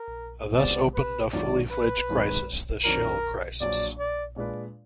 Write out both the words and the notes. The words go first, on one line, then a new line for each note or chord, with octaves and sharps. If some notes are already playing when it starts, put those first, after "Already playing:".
Thus opened a fully-fledged crisis, the Shell Crisis.
Already playing: A#4
F1 F2 F3 G#3 B3 D5
B4
G#2 D#3 F#3 D4 F4 D5
B4
G#1 F#2 D#3 G#3
F2 D#3 F#3 D4 A#4
A#1 A#2 F#3 D4 D5
D5
A#2 G#3 D4 F4 B4 D5